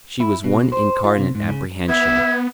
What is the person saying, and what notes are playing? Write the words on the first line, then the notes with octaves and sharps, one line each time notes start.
She was one incarnate apprehension.
E4
B2
C5
F4
C3
G#2
C#3
B3 E5 G#6